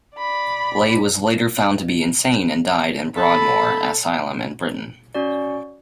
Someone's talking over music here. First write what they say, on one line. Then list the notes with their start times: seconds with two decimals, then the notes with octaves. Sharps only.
Ley was later found to be insane and died in Broadmoor Asylum in Britain.
0.16 D5 B5
3.17 A4 B5
5.15 C#4 F#4 D5